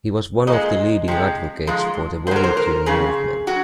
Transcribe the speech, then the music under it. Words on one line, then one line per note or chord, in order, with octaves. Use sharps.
He was one of the leading advocates for the volunteer movement.
A#2 D#5
G#3
C3 F3 G#3
G#2 F3 G#3
G#2 F#3 A#4 C5
C5
A#4
F2 C#3 G#4
F#3 F#4